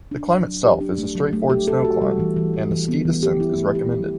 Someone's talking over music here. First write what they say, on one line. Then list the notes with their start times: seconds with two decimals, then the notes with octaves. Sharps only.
The climb itself is a straightforward snow climb, and the ski descent is recommended.
0.11 D4
0.29 F#3
0.46 F#3
0.63 G4
0.81 D4
0.98 A3
1.15 F#3
1.33 A3
1.50 G4
1.68 A4
1.85 F#4
2.02 G3
2.19 E3
2.36 E3
2.54 E3
2.71 E3
2.88 B3
3.05 E3
3.23 G4
3.40 E4
3.58 A3
3.75 G4
3.92 G4